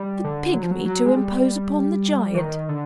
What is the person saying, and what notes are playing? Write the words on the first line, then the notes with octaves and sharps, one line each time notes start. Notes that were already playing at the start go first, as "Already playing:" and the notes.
The pigmy to impose upon the giant.
Already playing: G3
D3
F#3
F3
F#3
F#3
G#3
G3
E3
D#3
D3